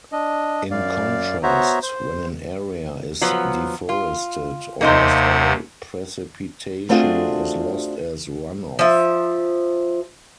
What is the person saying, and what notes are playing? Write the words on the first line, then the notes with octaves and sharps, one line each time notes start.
In contrast, when an area is deforested, almost all precipitation is lost as run-off.
D4 D#5
F#2 D5 F5
B3 F#4 C5 C#5 E5 A#5
C5
F3 F#3 B3
F4
D#2 C3 A#3 D#4 C5 F#5
A3 C4 D4 F4 F#4 G#4
F3 E5